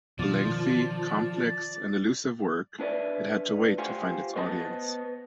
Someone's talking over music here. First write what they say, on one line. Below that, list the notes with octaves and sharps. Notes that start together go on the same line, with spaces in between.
A lengthy, complex, and allusive work, it had to wait to find its audience.
B2 D#3 F3 D5
D4 B4 D5 E5
F4 G4 C5 F5 F#5 G#5
B3 C5 D#5 A5